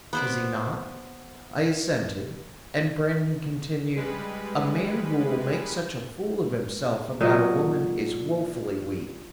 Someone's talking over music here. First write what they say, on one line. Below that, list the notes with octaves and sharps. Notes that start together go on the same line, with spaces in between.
Is he not?" I assented; and Brandon continued: "A man who will make such a fool of himself about a woman is woefully weak.
B3 C5 D5
G3 G#3 B4
A#2 F#3 D#5